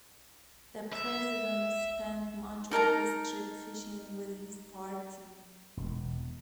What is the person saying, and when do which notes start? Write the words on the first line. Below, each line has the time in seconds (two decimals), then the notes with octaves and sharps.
The president spent much of his trip fishing with his party.
0.93 E5
2.71 D#4 A#4 A5 A#5
5.77 E1